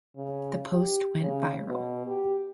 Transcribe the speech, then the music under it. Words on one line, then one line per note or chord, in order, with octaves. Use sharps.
The post went viral.
C#3
G4
C#3
B2
G4